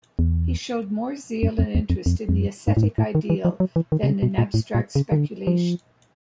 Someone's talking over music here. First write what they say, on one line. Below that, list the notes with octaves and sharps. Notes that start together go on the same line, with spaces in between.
He showed more zeal and interest in the ascetic ideal than in abstract speculation.
E2
F#2
F2
E2
F2
F2
F2
F#2
G#2
A2
G#2
A2
D#3
E3
F3
F#3
E3
D#3
C3
C#3
B2
A#2
A2
A#2
C#3
D#3
D3
F3